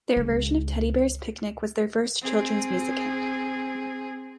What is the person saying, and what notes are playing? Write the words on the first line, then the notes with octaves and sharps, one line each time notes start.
Their version of "Teddy Bears' Picnic" was their first children's music hit.
C#2
C4 G#4